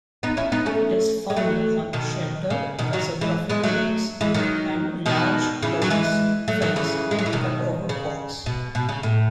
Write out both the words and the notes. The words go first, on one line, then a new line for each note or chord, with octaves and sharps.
It is found on sheltered mesotrophic lakes and large pools, fens and cutover bogs.
B3 D#4
C#4 E4
B3 D#4
A3 C#4
G#3
F#3 A3
B2 D#3
C#3
B2 D#3
D#3 F#3
E3 G#3
G#3 B3
F#3 A3
E3 G#3
D#3 F#3
B2 D#3
C#3 E3
F#3
E3 G#3
F#3 A3
D#3 F#3
C#3 E3
G#3
F#3
E3
B2 D#3
C#3
B2
B2
C#3
A2